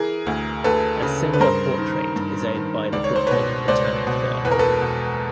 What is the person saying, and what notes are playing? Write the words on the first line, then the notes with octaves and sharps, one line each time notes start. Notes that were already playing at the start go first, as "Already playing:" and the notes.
A similar portrait is owned by the Brooklyn Botanic Garden.
Already playing: E3 G#4 A#4
D2
D2 A4 B4
C#3
B4
G2 A#4 C5
D#3
G2
D#3
C#2 D5
C#5
C5
B2 B4 C#5
C#2 C5 D5
B2
E2 B4
A#4
A4 B4
B2